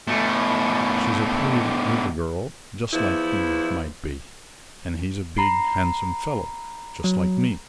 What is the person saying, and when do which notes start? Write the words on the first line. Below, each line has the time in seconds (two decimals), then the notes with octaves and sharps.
She's a pretty little girl--just like Eve might be; and he's a big, handsome fellow--just like me.
0.08 B2 A3
2.93 E2 F3 E4
5.37 A#5 B5 C7
7.04 F#3